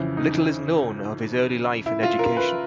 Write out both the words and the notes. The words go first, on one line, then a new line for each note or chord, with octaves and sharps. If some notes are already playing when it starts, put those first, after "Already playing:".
Little is known of his early life and education.
Already playing: F2 C#3 E3
D#4
E4
F4
A#4
B4